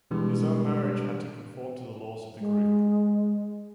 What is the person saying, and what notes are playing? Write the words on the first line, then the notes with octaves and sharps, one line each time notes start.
His own marriage had to conform to the laws of the group.
G2 B2 E3 G#3
G#3